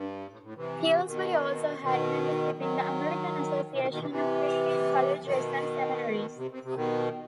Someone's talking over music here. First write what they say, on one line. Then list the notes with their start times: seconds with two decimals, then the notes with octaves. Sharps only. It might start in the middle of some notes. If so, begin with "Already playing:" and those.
Pillsbury also had membership in the American Association of Christian Colleges and Seminaries.
Already playing: G2
0.30 A2
0.42 A2
0.56 C3 E3
1.06 B2 D#3
1.82 B2 D#3
2.58 D#3 F#3
3.71 C3 E3
3.81 B2 D#3
3.91 B2 D#3
4.00 C3 E3
4.10 C3 E3
5.24 B2 D#3
6.37 C3
6.51 C3
6.63 C3
6.75 B2 D#3